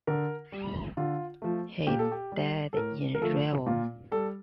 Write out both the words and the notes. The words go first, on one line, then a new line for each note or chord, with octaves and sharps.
He died in Reval.
D3 A#4
G3
D3 F4
F3 A3
A#2 G4
A4
G4
G3
A4
A2 A#4
A#4
F3 A3 A4
A#2 F4
G3 A4